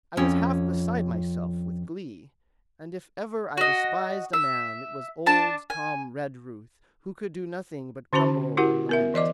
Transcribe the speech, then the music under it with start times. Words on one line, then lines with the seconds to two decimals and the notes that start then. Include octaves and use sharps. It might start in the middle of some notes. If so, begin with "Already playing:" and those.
I was half beside myself with glee; and if ever I despised a man, it was old Tom Redruth, who could do nothing but grumble and lament.
0.17 F2 C#4
3.57 F#4 D#5
4.33 E5
5.26 D4 A5
5.70 G#5
8.13 D3 C#4 F#4 C5 A5 B5
8.57 E4 F#4 G4 A#4 F#5
8.89 B3 A#4 E5
9.14 E3 D5 D#5 D6